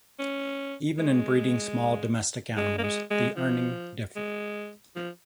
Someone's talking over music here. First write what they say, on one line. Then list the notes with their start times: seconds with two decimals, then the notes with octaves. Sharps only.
Even in breeding small domestic animals, the earning differ.
0.19 C#4
0.98 G#3
2.57 G#3
2.78 A#3
2.83 G#3
3.10 G#3
3.36 F3
4.16 G#3
4.95 F3